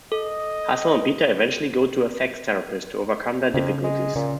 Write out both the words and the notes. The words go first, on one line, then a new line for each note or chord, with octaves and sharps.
Hazel and Peter eventually go to a sex therapist to overcome their difficulties.
A4 D#5
F2 C#3
G#3
A#2 C#3